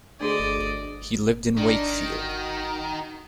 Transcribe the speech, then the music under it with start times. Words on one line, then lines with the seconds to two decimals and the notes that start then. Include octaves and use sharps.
He lived in Wakefield.
0.20 D2 D4 F#4 G#4 D5 D#5
1.57 D#3 D4
2.12 F#4